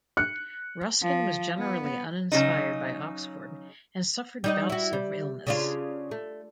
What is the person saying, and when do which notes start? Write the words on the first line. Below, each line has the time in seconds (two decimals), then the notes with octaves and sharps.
Ruskin was generally uninspired by Oxford and suffered bouts of illness.
0.17 F#6 C#7
1.03 F3
1.59 B3
2.32 C#3 F#3 D#4
4.44 G3 D#4 D#5
4.70 E4 F#4
4.93 G3
5.47 C#3 D4 F4
6.11 A3